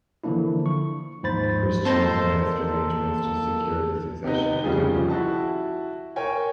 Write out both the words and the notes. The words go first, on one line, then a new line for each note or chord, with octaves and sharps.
Christian commenced arrangements to secure the succession in Denmark.
D3 E3 F3 A#3 D4 E4
C#6
D#2 G#2 F3 C5 B5 A6
A#3 C4 D#4 A4 C5 A5
C3 B3 D#4
F2 C#3 F3 G3 G#4
E4 F#4 A5
A#4 C#5 G5 G#5